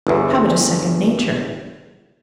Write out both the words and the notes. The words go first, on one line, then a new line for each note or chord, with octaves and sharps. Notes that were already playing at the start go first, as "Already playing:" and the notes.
Habit is second nature.
G1 E2